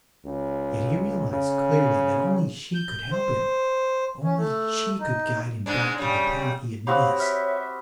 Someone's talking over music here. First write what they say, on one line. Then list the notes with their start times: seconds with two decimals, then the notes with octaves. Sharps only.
Yet he realized clearly that only she could help him, only she could guide him back to the path he had missed.
0.25 C#2
1.32 C#3
2.74 G6
3.12 C5
4.24 C#4
4.38 A3
5.00 D#4
5.66 G#2 G#3 D4
5.98 C#3 G3
6.87 C4 F#4 G4 C#5 F5 B5 C6 D#6
7.20 E5 F6 B6